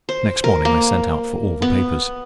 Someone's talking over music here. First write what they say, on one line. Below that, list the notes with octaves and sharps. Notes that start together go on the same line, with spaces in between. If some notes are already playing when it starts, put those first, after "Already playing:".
Next morning I sent out for all the papers.
C5
A#4
A#3
B3